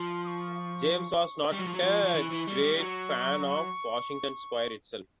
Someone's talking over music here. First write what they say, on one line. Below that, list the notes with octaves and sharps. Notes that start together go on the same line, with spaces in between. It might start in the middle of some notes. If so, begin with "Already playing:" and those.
James was not a great fan of "Washington Square" itself.
Already playing: F3 C6
D#6
C#6
G3 C#6
F#3
F3
F#3
F3
F3
E3
E3
G3
G3
G3
F#3 C#6